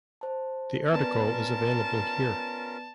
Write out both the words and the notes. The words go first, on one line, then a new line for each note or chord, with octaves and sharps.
The article is available here.
C5 A5
B3 C#4 F4 A#4 B4 D5 A5